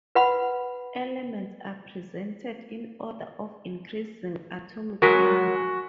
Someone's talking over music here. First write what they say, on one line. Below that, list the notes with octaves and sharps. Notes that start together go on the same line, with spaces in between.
Elements are presented in order of increasing atomic number.
B4 F#5 B5
F#3 G#3 F#4 A#4 B6